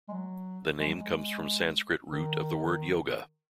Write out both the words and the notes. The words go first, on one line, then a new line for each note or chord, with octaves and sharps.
The name comes from Sanskrit root of the word "yoga".
G#3
F#3
G#3
F#3
G#3
D#3